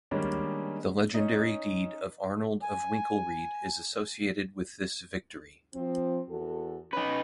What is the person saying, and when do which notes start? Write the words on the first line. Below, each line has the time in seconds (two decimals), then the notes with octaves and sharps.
The legendary deed of Arnold of Winkelried is associated with this victory.
0.11 D#3 G3 G#3 A#3 C#4 D4
1.14 C#4 D#4
2.63 G#5
5.75 F3 C4
6.29 E2 F#4 A4
6.93 C#4 D#4 B4